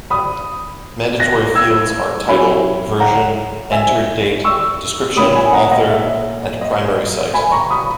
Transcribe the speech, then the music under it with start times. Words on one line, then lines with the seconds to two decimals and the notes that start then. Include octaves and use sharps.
Mandatory fields are Title, Version, Entered-date, Description, Author and Primary-site.
0.10 B5 D#6
1.19 F#6 A#6
1.55 E6 G#6
2.28 F#3 C#4 E4 G#5 B5
3.00 F#5 A#5
3.72 E5 G#5
4.44 C#6 E6
5.17 A#2 A#3 C#4 E4 B5 D#6
5.36 G#5 B5
5.53 F#5 A#5
5.71 D#5 F#5
5.89 E5
6.61 D#5
7.34 G#5 B5
7.52 A#5 C#6
7.70 B5 D#6